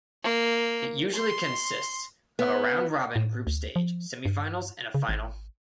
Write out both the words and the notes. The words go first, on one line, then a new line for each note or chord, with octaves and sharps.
It usually consists of a round-robin group stage, semifinals, and a final.
A#3
C6
B3
A2
D2
F3
G2
C#3
G#1